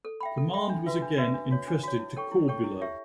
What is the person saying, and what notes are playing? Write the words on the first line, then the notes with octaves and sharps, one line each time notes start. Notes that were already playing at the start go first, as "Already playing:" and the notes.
Command was again entrusted to Corbulo.
A4
E5 G5 B5
A4
E5 G5 B5
D4
F#4 B4 E5
D4
F#4 B4 E5
D4
F#4 C#5
D4
F#4 C#5
E4
A4 C#5 G5 C#6
E4
A4 C#5 G5 C#6
E4
G4 C#5 E5